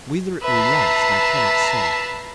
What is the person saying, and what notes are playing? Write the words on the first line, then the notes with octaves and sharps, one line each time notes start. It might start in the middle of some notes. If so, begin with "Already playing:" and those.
"Whether it will last I cannot say."
B4 E5 A5 A#5 C7